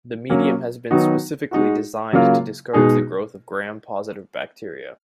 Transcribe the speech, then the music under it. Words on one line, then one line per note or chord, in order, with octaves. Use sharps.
This medium has been specifically designed to discourage the growth of gram positive bacteria.
F#3 A#3 C#4
D#3 F#3 B3 D#4 F#4
G#3 D#4 F#4
C#3 F#3 A#3 F4
B2 G#3 D#4 G#4